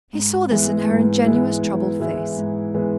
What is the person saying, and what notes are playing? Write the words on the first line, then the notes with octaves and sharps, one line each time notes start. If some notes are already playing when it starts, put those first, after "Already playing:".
He saw this in her ingenuous troubled face.
G#2
E3 G#3 B3 E4
G#2
E3 G#3 B3 E4
G#2
E3 G#3 B3 E4
G#2
E3 G#3 B3 E4